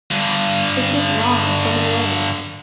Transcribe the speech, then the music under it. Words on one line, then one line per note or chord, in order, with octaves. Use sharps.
It's just wrong in so many ways.
G2 D3